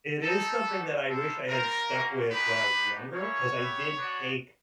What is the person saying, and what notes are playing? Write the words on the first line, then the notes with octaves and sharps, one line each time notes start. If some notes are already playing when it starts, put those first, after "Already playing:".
it is something that I wish I had stuck with when I was younger, 'cause I did take,
C4 D#4 G4 A4
G3 B3 D#4 F#4
G3 A#3 D4 F4 A4
G3 C4 F4 A#4
A#3 C#4 F#4
G#3 B3 D#4 G4 B4
B3 D#4 G4
A#3 C#4 E4 C#5
B3 E4 G4
B3 D4 F#4